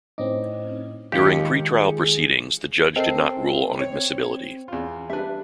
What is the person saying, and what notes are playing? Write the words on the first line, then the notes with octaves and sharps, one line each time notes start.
During pre-trial proceedings, the judge did not rule on admissibility.
A2 C4 C#4 D#4 D#5 D6
D#2 D#3 G#3 F4 G4 C#7
G#4
C4 A4 A#4 D#5 A5 C7
C#5
E2 F4
G3 D4 B4 E5